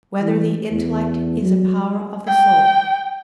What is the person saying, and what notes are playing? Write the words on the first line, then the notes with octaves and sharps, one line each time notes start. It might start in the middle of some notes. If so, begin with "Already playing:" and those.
Whether the Intellect Is a Power of the Soul?
E3
E2
F#3
G5